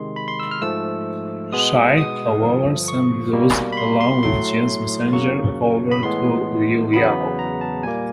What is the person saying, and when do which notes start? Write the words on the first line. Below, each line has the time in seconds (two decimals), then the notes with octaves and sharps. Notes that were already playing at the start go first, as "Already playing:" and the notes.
Shi, however, sent those, along with Jin's messenger, over to Liu Yao.
Already playing: C3 D#3 G#3 C6
0.16 B5
0.28 C6
0.40 E6
0.51 F6
0.62 G#2 F3 A3 E6
1.52 B2 G#3 B3 D#6
1.98 D#6
2.42 G2 D3 F3
2.88 C#6
3.33 B2 G3 A#3
3.72 B5
3.77 C6
4.01 C6
4.23 A2 F#3 A3 C6
5.13 F#2 C#3 F#3 A#3 C#6
5.92 B5
6.03 A2 E3 G#3 B3 C6
6.93 E2 C#3 F#3 B3 B5
7.39 A#5
7.61 A5
7.83 A#2 G3 A#3 G#5